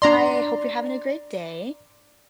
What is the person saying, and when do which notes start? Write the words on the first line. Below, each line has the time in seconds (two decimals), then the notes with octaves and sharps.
I hope you're having a great day.
0.02 D4 D5 A#5 C6